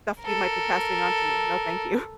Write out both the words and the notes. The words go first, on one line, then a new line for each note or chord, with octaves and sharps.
stuff you might be passing on to me. No, thank you."
A4 A#4